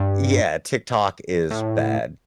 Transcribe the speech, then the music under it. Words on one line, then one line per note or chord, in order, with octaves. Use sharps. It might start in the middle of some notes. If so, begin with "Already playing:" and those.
Yeah, TikTok is bad.
Already playing: G2
A2